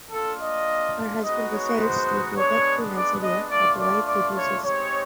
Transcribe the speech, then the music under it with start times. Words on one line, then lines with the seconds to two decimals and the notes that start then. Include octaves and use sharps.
Her husband decides to go back to Nigeria but the wife refuses.
0.11 A#3 D4 F4 A4
0.39 D#5
1.23 G#3 B3 D#4 F#4 D#5
1.52 C#5
1.80 C5
2.36 G#3 B3 D4 C#5
2.94 D5
3.21 D#5
3.50 A3 D4 F4 D5
3.78 D5
4.06 D5
4.34 C#5
4.62 G#3 C4 D#4 G4 C#5